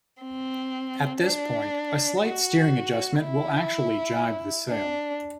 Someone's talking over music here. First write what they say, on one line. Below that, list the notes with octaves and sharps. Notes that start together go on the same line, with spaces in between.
At this point, a slight steering adjustment will actually jibe the sail.
C4
D4
F#4
E4
D4